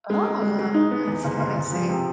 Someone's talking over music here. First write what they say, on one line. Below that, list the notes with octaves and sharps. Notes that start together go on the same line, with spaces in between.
Oh, I see, I see.
G#3
G#3
G#3
G#3
D#4
B3
E2
F#1
F#1
F#1
F3
C3